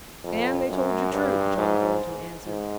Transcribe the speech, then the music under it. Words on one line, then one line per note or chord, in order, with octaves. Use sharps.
"And they told you true," John Thornton answered.
F2
F#2
G2
G#2
G#2